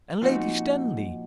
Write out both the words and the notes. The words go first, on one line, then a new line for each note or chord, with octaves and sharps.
And Lady Stanley!
A#2 F3 C4 D#4 F#4